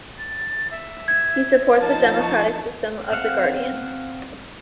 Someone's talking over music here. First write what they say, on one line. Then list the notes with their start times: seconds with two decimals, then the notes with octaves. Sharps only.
He supports the democratic system of the Guardians.
0.18 A6
0.71 E5
1.08 G#6
1.80 F3 D#4 A5 F6
2.19 C#6
3.12 C4 F5 F#5